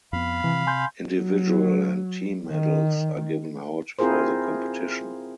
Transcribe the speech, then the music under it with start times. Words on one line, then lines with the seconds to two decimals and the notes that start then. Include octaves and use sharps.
Individual and team medals are given out for the competition.
0.13 F2 B3 F5 B5
0.44 C3 E3
0.67 G#5 C6 G6
1.10 F#3
2.48 D#3
3.99 C4 E4 F4 G#4 A#4 C5